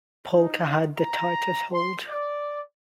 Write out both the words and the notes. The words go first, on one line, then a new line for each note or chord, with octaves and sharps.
Polka had the tightest hold.
D#4
A#5
C6
D5